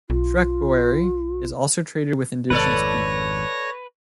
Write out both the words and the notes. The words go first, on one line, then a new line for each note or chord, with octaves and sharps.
Trekboere also traded with indigenous people.
B1 F4
G#1 F2 A3 A4 B4 C#5 D5 A#6